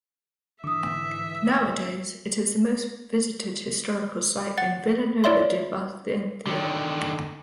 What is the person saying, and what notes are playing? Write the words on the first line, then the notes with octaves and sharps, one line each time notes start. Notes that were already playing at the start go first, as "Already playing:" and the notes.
Nowadays it is the most visited historical site in Vila Nova da Barquinha.
G#2 D3 E3 E5 D6 D#6
F#5 A6
E4 C#5 D5 E5 C6
D3 D#3